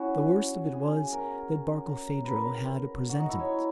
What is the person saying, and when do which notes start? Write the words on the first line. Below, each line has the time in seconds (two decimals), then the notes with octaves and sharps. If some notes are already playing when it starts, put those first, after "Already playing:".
The worst of it was that Barkilphedro had a presentiment.
Already playing: C#4 E4 F#4
0.73 G#4
1.13 A#4
2.25 B4
2.31 A#4
3.09 F#4
3.20 D#4
3.29 E4
3.40 C#5